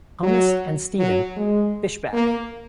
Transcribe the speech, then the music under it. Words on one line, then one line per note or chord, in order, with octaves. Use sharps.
Thomas and Stephen Fishbach.
F#3
F#3
G#3
A#3